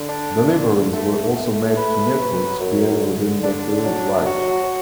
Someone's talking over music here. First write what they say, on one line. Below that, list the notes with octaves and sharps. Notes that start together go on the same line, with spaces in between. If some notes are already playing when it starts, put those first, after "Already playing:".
Deliveries were also made to networks created within the Third Reich.
Already playing: D3
D4
D3
A3
A3
B4
F#3
F#2
D3
D4
F#3
F#4